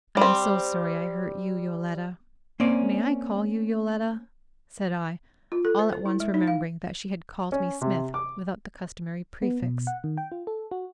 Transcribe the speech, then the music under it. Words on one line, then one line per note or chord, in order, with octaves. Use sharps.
"I am so sorry I hurt you, Yoletta--may I call you Yoletta?" said I, all at once remembering that she had called me Smith, without the customary prefix.
G3 C4
A#3 C4 C#4 D5
F4
A4
C5
C5
E4
G#3
D#4
F5
C#4
C3
D6
B3
B2
F#5
D#3
G5
F4
A4
F#4